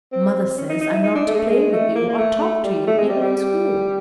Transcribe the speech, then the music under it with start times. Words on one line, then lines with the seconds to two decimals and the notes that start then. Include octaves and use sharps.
Mother says I'm not to play with you or talk to you even in school.
0.12 C4
0.57 C#4
0.69 D#4
0.81 D#4
0.92 E4
1.03 D#4
1.15 D4
1.27 A3
1.34 G#3
1.38 A3
1.49 G#3
1.73 A3
1.95 A#3
2.09 A#3
2.18 A3
2.41 A3
2.64 G3
2.87 A3
2.98 G#3
3.09 G3
3.21 G3